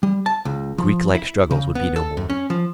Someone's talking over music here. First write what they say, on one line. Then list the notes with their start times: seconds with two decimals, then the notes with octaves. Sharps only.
Greeklike struggles would be no more.
0.03 G3
0.26 A5
0.45 C#2
0.78 F3
1.15 E4
1.51 C#3
1.75 B3
1.96 A4
2.17 F#2
2.30 C#4
2.50 F3